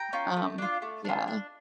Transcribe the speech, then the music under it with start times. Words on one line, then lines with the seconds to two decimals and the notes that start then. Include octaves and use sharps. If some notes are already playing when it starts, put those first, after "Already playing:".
um, yeah.
Already playing: G5 A#5
0.13 C#4 F4
0.37 A3
0.58 D4 F4
0.82 A3
1.05 D4 F4
1.28 D4